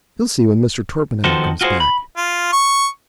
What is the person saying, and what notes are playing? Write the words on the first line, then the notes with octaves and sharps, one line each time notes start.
You'll see when Mr. Torpenhow comes back.'
D#3 F3 B3 F#4 A4 C5
F4 F#4 G#4 A#4 C5
B5
F4
C#6